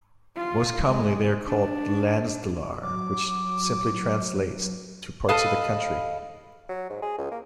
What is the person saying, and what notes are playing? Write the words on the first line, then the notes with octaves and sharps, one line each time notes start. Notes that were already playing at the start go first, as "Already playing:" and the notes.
Most commonly they are called "landsdelar", which simply translates to "parts of the country".
F4
G#3
D4
F#3 D6
A4 B4 D#5 F5
F#3
G#2
G#4
C#2
A#3